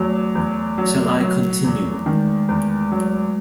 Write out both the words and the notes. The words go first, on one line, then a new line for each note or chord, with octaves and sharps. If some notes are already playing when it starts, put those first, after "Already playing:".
Shall I continue?
Already playing: E2 F#3 A3
E2
F#3
F#3
E2
D#3 G#3
E2
F#3